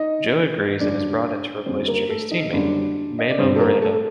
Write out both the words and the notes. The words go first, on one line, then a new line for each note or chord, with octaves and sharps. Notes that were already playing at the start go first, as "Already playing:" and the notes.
Joe agrees and is brought in to replace Jimmy's teammate, Memo Moreno.
Already playing: D#4 D#5
F#1 F#2 D3 G3 D4 D5
F#1 F#2 D3 G3 C4 C5
A#3 A#4
A3 A4
D#4 D#5
F#1 F#2 D3 G3 D4 D5
D#5
D5
G1 G2 D3 G3 C4 C5
A4
A#3 A#4
A3 A4